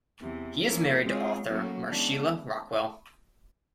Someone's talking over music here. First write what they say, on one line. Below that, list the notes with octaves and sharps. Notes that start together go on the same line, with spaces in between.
He is married to author Marsheila Rockwell.
E2 C3 E3
F3 A#3 C#4 E4
G#3 C4 F4 G#4 C#5
A2 F#3 A#3 C#4 F#4
C#3 E3 G#3 B3 D4